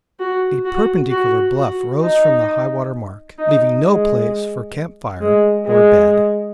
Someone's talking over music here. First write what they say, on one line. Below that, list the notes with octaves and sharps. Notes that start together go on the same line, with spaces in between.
A perpendicular bluff rose from the highwater mark, leaving no place for camp fire or bed.
F#4
F#4
F#4
F#4
D#4
D#4
G#3
G#3
G#3